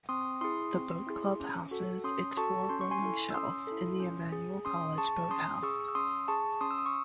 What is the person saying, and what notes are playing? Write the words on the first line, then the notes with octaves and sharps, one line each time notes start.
The Boat Club houses its four rowing shells in the Emmanuel College boathouse.
C4 C6 D#6
E4 G#4 C6 D#6
C4
E4 G#4
C#4
F#4 A4
C#4 C6 D#6
F#4 A4 A5 C#6
C#4 C6
C#6
G#5 C6
E4 A4
E6
C#4 C6 D#6
E4 A4
C#4
G#4
C#4 C6 D#6
G#4 A5 C#6
C#4 C6 D#6
D#6
G#4 C#6 E6
E6
C#4 C6 D#6
G#4 A5 C#6
C#4 C6 D#6
E6
D#6
C#6